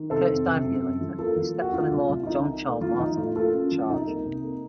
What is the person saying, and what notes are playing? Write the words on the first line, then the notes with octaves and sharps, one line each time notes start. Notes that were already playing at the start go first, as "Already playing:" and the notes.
Curtis died a year later and his stepson-in-law, John Charles Martin, took charge.
Already playing: D#3
C3 A4 C5
F2
C3
F#2
F#2
F3
A#3 F4 A4
F3
A#3
F#4
A3 F4
C2
C2
F4
D#3 D#4
D#3
A3
F3 F4
F3 D#4
A2 F4
A#3 F4 A4
C#4
F3
C2 D#4
A#3
C3
A#3